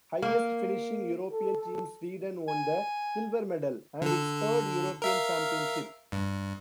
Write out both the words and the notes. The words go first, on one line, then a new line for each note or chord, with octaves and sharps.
Highest finishing European team Sweden won the silver medal and its third European Championship.
A#3
A4
G#5
D3 A4
A#4 E5 F5
G2